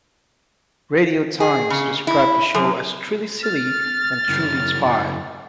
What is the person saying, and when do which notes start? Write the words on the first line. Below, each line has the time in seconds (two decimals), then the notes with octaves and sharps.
"Radio Times" described the show as "truly silly and truly inspired".
1.40 G#4
1.70 C#3
2.07 E4
2.54 F#2
3.43 F6 A6
4.29 F#2 C#3 E4